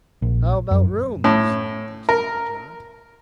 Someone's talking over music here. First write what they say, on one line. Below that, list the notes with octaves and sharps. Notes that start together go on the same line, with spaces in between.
"How about rooms?" asked Uncle John.
A#1
F#2
A2
A#4